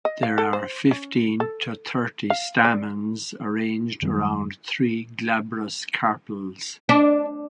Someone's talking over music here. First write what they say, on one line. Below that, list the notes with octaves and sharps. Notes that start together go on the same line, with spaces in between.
There are fifteen to thirty stamens arranged around three glabrous carpels.
D#5
F5
A4
C5
C#4
A4
F5
D5
F#2 D#3 G3
D4